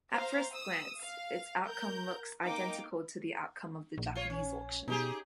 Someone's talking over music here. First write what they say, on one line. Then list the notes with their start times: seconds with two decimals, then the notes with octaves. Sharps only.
At first glance, its outcome looks identical to the outcome of the Japanese auction.
0.14 C5 F5 A#5
0.53 D#6 E6
0.99 F5
1.65 A#4 G6
2.44 A#3 D#4 G5 D6
3.98 A#1
4.15 F4 C#5
4.30 C#4
4.88 B2 D#4 G4 G#4